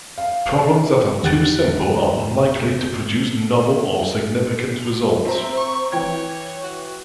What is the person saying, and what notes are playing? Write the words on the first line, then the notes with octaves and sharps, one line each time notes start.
Problems that are too simple are unlikely to produce novel or significant results.
F5
E2 D3 G4 F#5 F#6 A6
F7
C4 E5 A#5
C#6
E3 C#5 G5 G#6
F#4